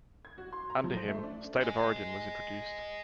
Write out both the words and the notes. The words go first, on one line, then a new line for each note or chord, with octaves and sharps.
Under him State of Origin was introduced.
G#6
F#4
C6
A#5
F3
C5
A3
D4
D#5 G#5